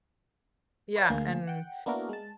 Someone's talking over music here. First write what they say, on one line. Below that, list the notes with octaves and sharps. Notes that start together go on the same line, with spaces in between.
Yeah, and
B4 C#5 D5 F5 A5
D2 A#3 G#4 F5
F#5 G5
A#3 B3 D4 E4 F#4 A#4
G#3 A5